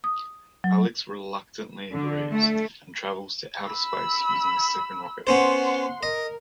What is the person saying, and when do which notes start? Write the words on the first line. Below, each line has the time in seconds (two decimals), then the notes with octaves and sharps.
Alex reluctantly agrees and travels to outer space using a second rocket.
0.04 D#6
0.64 F#3
1.93 D3
2.33 A3
3.66 B5 E6
5.27 B3 C#4 C5 F#5 C6
6.03 A#4 D#5